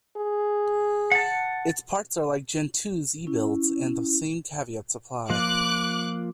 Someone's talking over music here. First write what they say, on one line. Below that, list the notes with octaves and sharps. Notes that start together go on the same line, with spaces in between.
Its ports are like Gentoo's ebuilds, and the same caveats apply.
G#4
F#5 A5
C#4 E4
F3 A#3 F4 D6 F#6